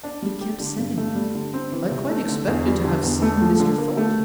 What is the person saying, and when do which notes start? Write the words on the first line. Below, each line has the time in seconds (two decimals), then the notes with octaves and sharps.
He kept saying, 'I quite expected to have seen Mr. Thornton.
0.04 D4
0.22 G3
0.41 G4
0.60 D3
0.78 G2
0.98 A3
1.15 G3
1.35 D3
1.54 C4
1.72 E3
1.91 C3
2.10 A3
2.29 D3
2.48 E2
2.66 G3
2.85 D3
3.03 E2
3.22 A3
3.41 F3
3.60 D3
3.78 A#3
3.97 A3